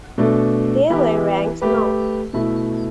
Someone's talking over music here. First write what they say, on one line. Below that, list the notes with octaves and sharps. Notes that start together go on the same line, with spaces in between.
They were ranked no.
B2 A3 D4 A4
E3 B3 E4 G4
A3 G4 B4
B2 A3 E4